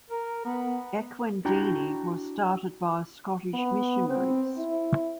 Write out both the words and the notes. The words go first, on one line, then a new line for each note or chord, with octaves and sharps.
Ekwendeni was started by Scottish missionaries.
A#4
B3
D4 E4 F#4 G5 A#5
B3
C4
E4